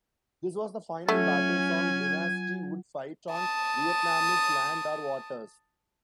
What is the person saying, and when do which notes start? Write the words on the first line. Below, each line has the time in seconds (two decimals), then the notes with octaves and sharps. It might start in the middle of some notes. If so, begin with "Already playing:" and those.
This was the final battle Song Dynasty would fight on Vietnamese land or waters.
1.09 F#3 A3 C#4 F4 G#5
3.32 A5 D#6